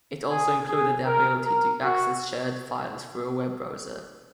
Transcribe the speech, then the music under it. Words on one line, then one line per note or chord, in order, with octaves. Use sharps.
It also included the ability to access shared files through a web browser.
G#4
G#4
A#4
A#4
F#4